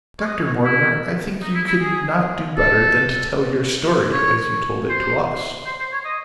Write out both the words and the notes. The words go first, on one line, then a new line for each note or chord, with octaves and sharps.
"Dr. Mortimer, I think you could not do better than to tell your story as you told it to us."
C#5
D#5
C#5
E4
D#4
E4
E4
G#4
A4
C#5
C5
C5
C5
C#5
D#5